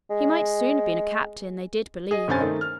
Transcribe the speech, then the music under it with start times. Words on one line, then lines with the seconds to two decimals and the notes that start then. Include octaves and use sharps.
He might soon have been a captain, they did believe!
0.10 G#3
2.11 G#4 D#5
2.28 F1 G2 C#4 C5 G#5 A6
2.40 D#3 A3 D#4
2.61 F6